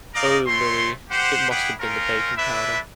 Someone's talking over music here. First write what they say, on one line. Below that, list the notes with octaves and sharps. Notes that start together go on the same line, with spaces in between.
Oh, Lily, it must have been the baking powder.
D#4 A#4 D5 D#5 F5 A#5
A3 C4 C#5 C6
G4 C5 F#5
E4 G4 G#4 B4 F#5 G5
C4 C#4 F4 A#4
D4 E4 B4 E5